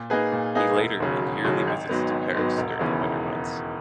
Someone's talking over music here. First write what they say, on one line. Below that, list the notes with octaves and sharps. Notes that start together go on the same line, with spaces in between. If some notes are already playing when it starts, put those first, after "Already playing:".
He later made yearly visits to Paris during the winter months.
Already playing: A#2
A#3 D#4 G#4 B4
A#2
A#3 D#4 G#4 B4
E1
D#2 C#3 F#3
E1
D#2 C#3 F#3
G#1
G#2 F#3 B3
G#1
G#2 F#3 B3
E1
D#2 C#3 E3 B3
E1